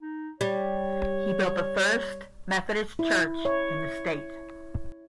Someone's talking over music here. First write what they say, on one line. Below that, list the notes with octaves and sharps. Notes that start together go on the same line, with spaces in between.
He built the first Methodist church in the state.
D#4
G3 C#5
E4
C#5